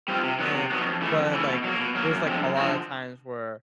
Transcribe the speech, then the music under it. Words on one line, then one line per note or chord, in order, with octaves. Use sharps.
eh but, like, there's, like, a lotta times where
G3 C4 F4
C3
D#3 F#3 B3
C3
D#3 F#3 B3
F2
C#3 E3 A3
F2
C#3 E3 A3
B2
F#3 A#3
B2
F#3 A#3
F#2
D3 F3 G#3 C4
F#2
D3 F3 G#3 C4